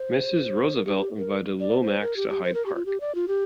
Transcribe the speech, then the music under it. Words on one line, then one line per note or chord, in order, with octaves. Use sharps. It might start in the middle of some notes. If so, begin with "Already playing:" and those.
Mrs. Roosevelt invited Lomax to Hyde Park.
Already playing: C5
A#4
G4
G4
A#4
D5
C5
A#4
G4
G4
C5
A#4
G4
F4
G4
D5
F4
G4